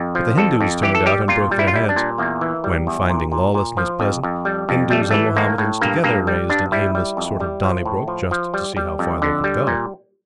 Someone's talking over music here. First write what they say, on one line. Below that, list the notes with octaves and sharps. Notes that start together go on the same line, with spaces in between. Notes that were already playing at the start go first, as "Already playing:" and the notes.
But the Hindus turned out and broke their heads; when, finding lawlessness pleasant, Hindus and Mahomedans together raised an aimless sort of Donnybrook just to see how far they could go.
Already playing: F2
F3
F2 A4
F2
E3 G4
A4
G3 G4
A#2 F4
G3
E4
F4
G3 E4
D4
A#2
E2 A#3
E3
G3
E2
A#2
A#2
A#2
F3
F2
F2
G3
F2
G3 A3
E3 A3
A2 A#3
A2
G2 A#3
G2 A#3
G3
G2 D4
G3 E4
G3
F2
G3
F3
A2
F3
F3
G3
G3
F2
D3
G3
A#2